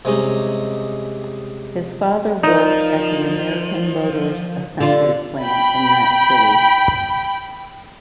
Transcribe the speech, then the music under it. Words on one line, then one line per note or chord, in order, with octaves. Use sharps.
His father worked at the American Motors assembly plant in that city.
C3 G3 G#3 C#4 D#4
F3 D#4 A#4 D5
D3 F4
G5 B5